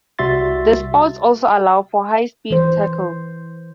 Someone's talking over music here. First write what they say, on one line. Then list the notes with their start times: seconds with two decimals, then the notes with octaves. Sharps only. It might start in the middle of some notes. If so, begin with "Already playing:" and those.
The spouts also allow for high-speed tackles.
0.19 C2 G3 F#4 E5 C6 A6
2.50 E3 C5